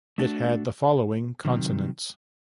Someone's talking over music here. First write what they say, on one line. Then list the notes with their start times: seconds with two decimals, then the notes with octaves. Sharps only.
It had the following consonants.
0.18 A3 D4 F#4
1.45 C3 D#3 F#3